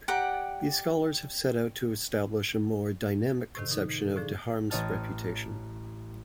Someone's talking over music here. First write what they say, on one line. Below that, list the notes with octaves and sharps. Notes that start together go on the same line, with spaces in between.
These scholars have set out to establish a more dynamic conception of Deharme's reputation.
G4 D5 F#5 A#5
A2 C3 D#3
D#4
A4
A2 D3 F3 D4 G#4
A1 C#5 D#5 A5 F6